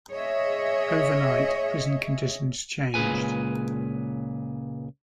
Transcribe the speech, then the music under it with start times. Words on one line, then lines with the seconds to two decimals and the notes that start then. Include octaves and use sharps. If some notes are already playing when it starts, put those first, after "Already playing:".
Overnight prison conditions changed.
0.11 G#4 C#5 D#5 E5
2.94 C#2 A#2 G#4 B4 G#5